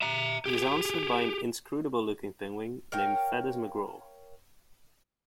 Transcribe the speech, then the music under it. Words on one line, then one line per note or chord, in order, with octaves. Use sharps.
He is answered by an inscrutable looking penguin named Feathers McGraw.
E5 A#5
G4 G#4
A#4 C#5 F5 G5